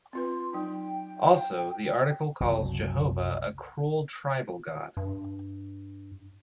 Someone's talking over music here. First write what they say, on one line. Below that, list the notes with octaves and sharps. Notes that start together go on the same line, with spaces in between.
Also the article calls "Jehovah" a cruel tribal God.
C4 F4 B4 C6
F#3 D#4 G5
F#1 C2 F#3
G2